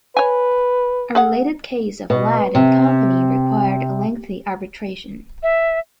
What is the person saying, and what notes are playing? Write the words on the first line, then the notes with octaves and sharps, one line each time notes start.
A related case of Ladd and Company required lengthy arbitration.
B4 C#5 G#5
G#4 F5 F#5
B2
C3
E5